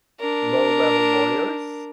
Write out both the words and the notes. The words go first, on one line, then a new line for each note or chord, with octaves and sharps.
low-level lawyers,
D4 A#4